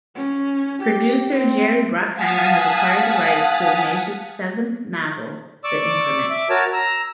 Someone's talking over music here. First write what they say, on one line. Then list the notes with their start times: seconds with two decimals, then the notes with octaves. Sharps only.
Producer Jerry Bruckheimer has acquired the rights to Ignatius's seventh novel, "The Increment".
0.15 C#4
0.82 G4
1.34 C4
2.15 F5 F#5 G#5 A5 D#6 B6
5.64 D5 C#6 D6 E6
6.30 E5 D6
6.50 F#4 A#4 C#5 A5
6.73 A#5 E6